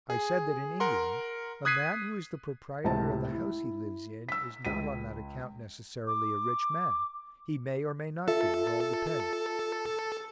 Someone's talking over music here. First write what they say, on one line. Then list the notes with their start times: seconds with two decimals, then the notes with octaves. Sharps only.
I said that in England a man who is the proprietor of the house he lives in is not on that account necessarily a rich man; he may or may not be, it all depends.
0.10 G#4
0.80 A#4 F#5 C6
1.65 D#6 F#6 G#6 B6 C7 D#7
2.84 C#2 A2 C3 C4 A5
3.32 E4
4.29 E6 B6
4.65 C#2 B6 D#7
6.07 D6
8.28 F4 A4 E5